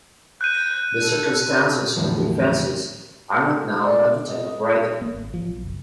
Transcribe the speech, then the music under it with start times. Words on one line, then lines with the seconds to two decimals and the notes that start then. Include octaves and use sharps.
The circumstances of the offences are not known at the time of writing.
0.41 F#6 G6 D#7
1.00 A4
1.96 E2 A2 D3 F3 F#3
3.84 D5
4.29 D#5
5.01 A#3
5.14 G#1
5.34 F3
5.49 B1
5.63 F#1